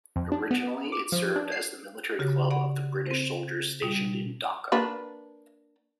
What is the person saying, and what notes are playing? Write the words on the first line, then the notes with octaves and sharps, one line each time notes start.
Originally it served as the military club of the British soldiers stationed in Dhaka.
F2
D4
B3
D6
F3
D4
C7
C#3 F#4 G4
D5 F#5 B5
C4 C5
B2 G3
A#3 D4 B4